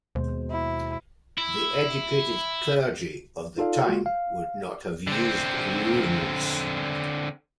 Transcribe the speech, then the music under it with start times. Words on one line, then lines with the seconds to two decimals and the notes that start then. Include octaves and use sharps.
The educated clergy of the time would not have used runes.
0.15 D#2 B2 G#3 C5
0.51 E4
1.38 E4
3.58 D#4 F4 A4 D5 F5
3.85 G#3 A#3 F4 F#4
4.06 F5
5.07 D3 C4